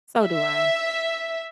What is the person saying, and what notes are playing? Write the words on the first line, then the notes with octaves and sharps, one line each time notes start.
So do I.
E5